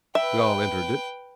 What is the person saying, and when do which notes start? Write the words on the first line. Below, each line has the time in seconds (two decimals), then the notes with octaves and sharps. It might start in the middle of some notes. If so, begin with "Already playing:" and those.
We all entered it.
0.15 B4 E5 G5